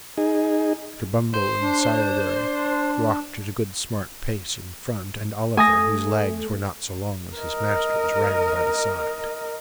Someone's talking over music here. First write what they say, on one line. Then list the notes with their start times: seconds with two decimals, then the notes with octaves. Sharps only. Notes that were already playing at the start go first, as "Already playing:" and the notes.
Mr. Bumble and Sowerberry walked at a good smart pace in front; and Oliver, whose legs were not so long as his master's, ran by the side.
0.18 D#4 G#4
1.34 C5
1.61 D4
5.57 A3 G#5 D#6 A#6
7.36 A#4 D#5